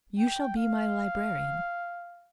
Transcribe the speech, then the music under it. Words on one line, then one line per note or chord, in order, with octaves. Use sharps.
You shall be my librarian.
G5
F5